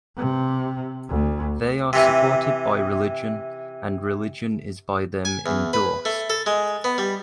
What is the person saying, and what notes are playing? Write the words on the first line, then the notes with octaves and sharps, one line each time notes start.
They are supported by religion; and religion is by them endorsed.
C3
D2
C3 E3
G#5
E2
B4
A3
A4
G#3
B3
G3